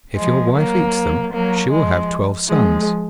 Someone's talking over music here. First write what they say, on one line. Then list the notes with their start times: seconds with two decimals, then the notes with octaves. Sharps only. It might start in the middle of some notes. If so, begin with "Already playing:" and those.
If your wife eats them, she will have twelve sons.'
0.16 F3 G#3
0.54 F#3 A#3
1.32 F#3 A#3
1.71 F3 G#3
2.47 F3 G#3